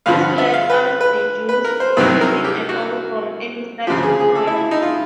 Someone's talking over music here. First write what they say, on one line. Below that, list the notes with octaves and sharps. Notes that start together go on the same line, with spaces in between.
This lets us deduce anything at all from any starting point.
G2 D3 F3 F5
F#5
E5
F5
B4
B4
B4
A#4
C5
C2 C3 D#3 F#3 B4
A#4
G4
F#4
D2 C#3 F3 G4
G#4
G#4
A4
E4
D#4
F4